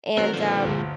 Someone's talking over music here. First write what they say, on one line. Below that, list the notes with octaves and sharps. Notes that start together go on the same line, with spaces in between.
And, um,
D#3 F#3 B3 C4 A#4 F#6
A#2 D3 F3
G1 D2